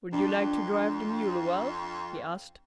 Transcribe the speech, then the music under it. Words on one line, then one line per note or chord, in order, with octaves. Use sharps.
"Would you like to drive the mule awhile?" he asked.
F2 D4